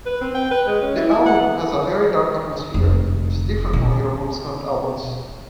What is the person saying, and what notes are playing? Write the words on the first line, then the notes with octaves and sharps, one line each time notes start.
The album has a very dark atmosphere, which is different from later Wumpscut albums.
B4
C4
G5
B4
G#3
C#4
E4
E4
F#5
B3
F1
B2